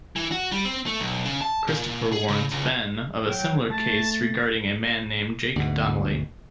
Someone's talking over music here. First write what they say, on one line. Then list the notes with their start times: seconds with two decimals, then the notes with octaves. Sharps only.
Christopher warns Ben of a similar case regarding a man named Jake Donnelly.
0.16 E3
0.32 F#4
0.52 G3
0.65 C4
0.86 A3
1.00 B1
1.25 C#3
1.41 A5
1.67 A#2
2.12 G#4
2.28 C#3
2.51 C#2
3.27 F#3 G5
3.70 A3 A5
4.12 A6
5.56 D2 G#2 B2